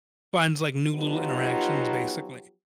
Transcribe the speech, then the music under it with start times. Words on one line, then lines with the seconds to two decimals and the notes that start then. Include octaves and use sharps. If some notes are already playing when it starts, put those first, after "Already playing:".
finds, like, new little interactions, basically.
0.95 F3 F#3 B3 D#4 F4 G4